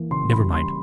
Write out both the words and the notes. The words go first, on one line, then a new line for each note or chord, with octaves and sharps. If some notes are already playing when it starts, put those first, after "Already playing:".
Never mind.
Already playing: E3 A#3
C#3 C6
B5
G3
C6